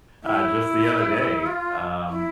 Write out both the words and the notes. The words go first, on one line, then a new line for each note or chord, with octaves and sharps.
uh, just the other day, um,
E4
F4
E4